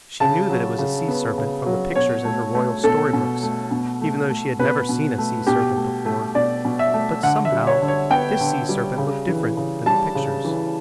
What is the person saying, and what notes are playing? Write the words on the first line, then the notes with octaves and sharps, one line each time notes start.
She knew that it was a sea serpent from the pictures in her royal story books even though she had never seen a sea serpent before, but somehow this sea serpent looked different than the pictures.
C#3 A5
F#3
C#3
B3
C#3
F#3
B2 C#5
A3
A3
B2 A4
B2
A3
B2
A3
A3
B2 B4
B2
A3
B2 G4
A3
A3
B2 D5
B2
E5
A3
D3 F#5
E5
G3
C#5
D3
C#5
B3 G5
D3
G3
C#3
E3
C#3
G3 A5
C#3
E3